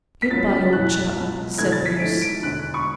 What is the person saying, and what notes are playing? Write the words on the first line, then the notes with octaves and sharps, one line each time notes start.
"Good-bye, old chap," said Bruce.
B6
C#2 C#3 F#3 C#4 A6
F#1 E2 B2 F#3 C#4 F#6
C#2 B2 F#3
E1 E2 D3 A3 G#6
A6
B6
G#2 E3 A3 D4 D7
D7
E1 D2 D3 F#6
C#6